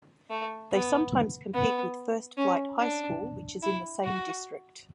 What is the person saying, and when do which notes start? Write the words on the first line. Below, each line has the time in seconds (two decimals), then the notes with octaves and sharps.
They sometimes compete with First Flight High School which is in the same district.
0.30 A3
0.72 B3
1.54 B3
2.37 C#4
2.79 D4
3.63 E4
4.04 F#4